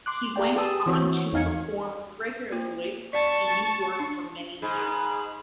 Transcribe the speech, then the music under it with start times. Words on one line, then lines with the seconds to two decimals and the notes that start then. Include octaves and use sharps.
He went on to perform regularly in New York for many years.
0.06 C6 D6 F#6
0.36 G4 G#4 D5 G5
0.56 G4 G#4 B4 A5 D#6 E6
0.86 E3 C4 F#4 C#5
1.33 E2 D#4 F5 G#5 G#6 C#7
2.52 A#3 F4
3.13 D5 A5 C#6
4.00 D4
4.62 G#2 G#4 B5